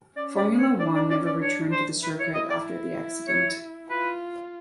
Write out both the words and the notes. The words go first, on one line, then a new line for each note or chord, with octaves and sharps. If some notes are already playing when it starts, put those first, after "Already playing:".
Formula One never returned to the circuit after the accident.
C#4 D5
D5
C#5
D4 D5
D5
C#4 D5
D5
D4 C#5
C5
E4 B4
C#5
D#5
D5
C#5
F4 B4